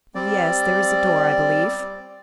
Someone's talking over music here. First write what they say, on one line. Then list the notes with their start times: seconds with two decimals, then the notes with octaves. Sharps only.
"Yes, there is a door, I believe."
0.15 G3 C4 D5